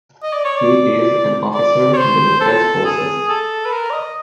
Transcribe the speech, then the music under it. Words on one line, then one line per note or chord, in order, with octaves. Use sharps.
He is an officer in the Defence Forces.
D#5
D5
C#5
D5
D5
C#5
C5
A4
G#4
A4
B4
A#4
D5
D#5